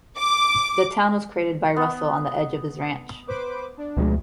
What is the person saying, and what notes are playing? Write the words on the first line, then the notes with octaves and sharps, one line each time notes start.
The town was created by Russell on the edge of his ranch.
D6
B3
B4 C5 D6
D4
D2 B2 F3 G#3